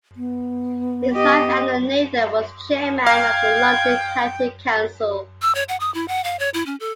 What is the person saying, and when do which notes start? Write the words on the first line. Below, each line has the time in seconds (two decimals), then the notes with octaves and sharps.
His wife Eleanor Nathan was Chairman of the London County Council.
0.16 B3
1.14 G4 D#5
3.07 F5 G5 G#6
5.42 E6
5.55 C#5
5.69 F#5
5.80 D#6
5.94 E4
6.08 F#5
6.24 F5
6.39 C#5
6.54 E4
6.66 C#4
6.80 A4